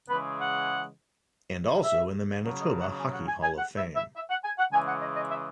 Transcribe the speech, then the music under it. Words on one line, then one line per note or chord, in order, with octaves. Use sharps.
And also in the Manitoba Hockey Hall of Fame.
C#3 E3 G#3 B4
F#5
E5
C#3 F#3
D#5
F#5
G#5
F#5
G#5
G#5
F#5
E5
E5
E5
F#5
G#5
F#5
C#3 E3 G#3 G#5
F#5
D#5
D#5
E5